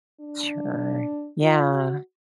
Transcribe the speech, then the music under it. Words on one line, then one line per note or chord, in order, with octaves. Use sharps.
Sure, yeah.
D4
F4
F#4